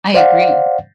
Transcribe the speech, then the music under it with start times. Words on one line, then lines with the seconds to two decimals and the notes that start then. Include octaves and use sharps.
I agree,
0.14 C5 D5 F5 F#5